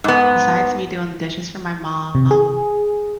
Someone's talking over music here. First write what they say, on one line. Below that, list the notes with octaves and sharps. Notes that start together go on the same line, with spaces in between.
Besides me doing the dishes for my mom
G#2 B3
C3
G#4